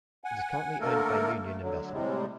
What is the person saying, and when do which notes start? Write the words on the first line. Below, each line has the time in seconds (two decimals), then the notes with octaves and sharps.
It is currently owned by Union Investment.
0.24 F#5 G#5
0.80 D3 A3 A#3 A4 A#4
1.44 A3
1.62 D3 F#3
1.92 A2 C3 G3 G#3